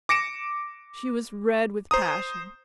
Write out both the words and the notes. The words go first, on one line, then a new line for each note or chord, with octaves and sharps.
She was red with passion.
D6 A#6 C#7 D7 E7
C5 A#5 D#6